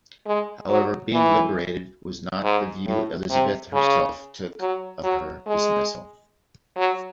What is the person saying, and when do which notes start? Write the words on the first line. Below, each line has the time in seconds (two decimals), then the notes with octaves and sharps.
However, being 'liberated' was not the view Elizabeth herself took of her dismissal.
0.26 G#3
0.70 F#3
1.13 E3
2.44 G#2
2.87 A2
3.30 C3
3.74 C#3
4.60 F#3
5.03 F#3
5.47 G#3
6.77 F#3